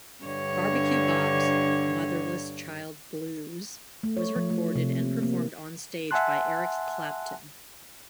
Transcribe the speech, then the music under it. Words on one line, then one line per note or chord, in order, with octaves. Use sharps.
Barbecue Bob's "Motherless Child Blues" was recorded and performed on stage by Eric Clapton.
G2 D3 C#5
A3
C#5
F3
A3
C3
A#3
A#3
E5 F#5 G#5 A5 C6 F#6